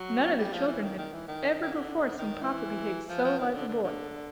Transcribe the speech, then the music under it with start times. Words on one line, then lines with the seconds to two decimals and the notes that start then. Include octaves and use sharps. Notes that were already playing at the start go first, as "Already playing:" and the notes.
None of the children had ever before seen Papa behave so like a boy.
Already playing: F#3
0.38 G3
0.53 F3
0.68 E3
0.83 D#3
0.98 D#3
1.13 E3
1.28 D#3
1.62 D#3
1.73 D3
2.18 D#3
2.41 E3
3.09 F3
3.24 F3
3.38 D#3
3.53 D3
3.68 D3
3.84 D3